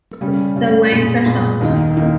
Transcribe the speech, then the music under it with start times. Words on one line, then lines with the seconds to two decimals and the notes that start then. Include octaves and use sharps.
The lengths are summed.
0.21 C#3 G3 C#4
0.56 C#3 G3 C#4
0.91 A#2 G#3 B3
1.26 A#2 G#3 B3
1.61 D#2 D#3 A#3 D#4
1.97 D#3 A#3 D#4